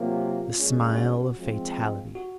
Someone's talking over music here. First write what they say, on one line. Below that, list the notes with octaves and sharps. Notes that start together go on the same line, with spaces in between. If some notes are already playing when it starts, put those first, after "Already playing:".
The smile of Fatality!
Already playing: C3 F#3 A#3 F4
C2 A#2 G#3 C#4
F#4
F3 G#3 C4
F#4